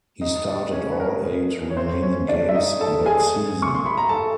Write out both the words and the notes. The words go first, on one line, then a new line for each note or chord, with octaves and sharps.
He started all eight remaining games that season.
D#4 D#5
D4 D5
C#4 C#5
B4
A#4
C#5
C4 C5
C#4 C#5
D4 D5
E5
D#4 D#5
A4 A5
G#4 G#5
C#6
C6
B5
A#5
A4 A5